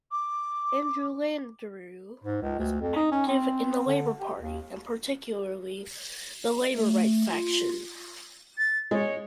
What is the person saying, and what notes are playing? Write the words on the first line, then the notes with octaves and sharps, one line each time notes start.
Andrew Landeryou was active in the Labor Party, and particularly the Labor Right faction.
D6
G#2
C#2
D2
F2
D#4
C#4
C4
D3
G4
D#2
A3
F4
A6
G#3 C#5